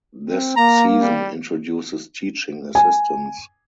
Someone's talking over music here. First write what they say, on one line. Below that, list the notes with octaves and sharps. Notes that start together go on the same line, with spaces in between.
This season introduces teaching assistants.
C4
A#3 A#5
G3
G#5